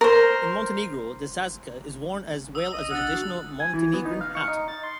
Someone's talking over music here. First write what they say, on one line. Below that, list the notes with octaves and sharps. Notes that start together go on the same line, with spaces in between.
In Montenegro, the šajkača is worn, as well as the traditional Montenegrin hat.
A#4 C5
D#6 E6
A#1 D#5
A#1 D4 F#5 E6 A6
D4 F#4
G#5
E3
B3
D#4
F5
C#6
D#4
A6
C6